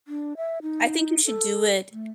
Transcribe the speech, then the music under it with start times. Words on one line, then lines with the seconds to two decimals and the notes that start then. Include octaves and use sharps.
I think you should do it,
0.08 D4
0.37 E5
0.62 D#4
1.25 A4
1.92 A3